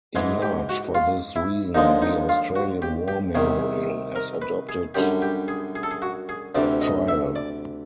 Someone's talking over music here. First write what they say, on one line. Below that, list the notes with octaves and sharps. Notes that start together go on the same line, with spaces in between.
In large, for this reason, the Australian War Memorial has adopted "Trail".
G#2 E3 G#3 G#4
G4
F#4
F4
E4
D#2 D3 F3 G#3 D#4
D#4
F4
F#4
G4
G4
C2 C3 D#3 G#4
A#4
B4
G#4
F#2 D3 G3 G4
G4
G#4
G#4
A4
G#4
F#4
G#4
D2 C3 E3 D5
D#5
E5
D5